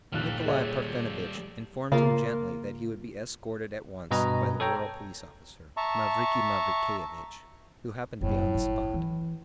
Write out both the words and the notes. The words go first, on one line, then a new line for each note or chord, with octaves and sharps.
Nikolay Parfenovitch informed him gently that he would be escorted at once by the rural police officer, Mavriky Mavrikyevitch, who happened to be on the spot....
A#1 D#2 G3 A4 F6 F#6
D#1 G#4 C#5
C#3 A#3 F4 A#4
G2 B2 B4 D#5 G#5 A#5
A4 C#5 G5 A#5
E5 A5 A#5 C#6
F#1 A2 C3
G1
E3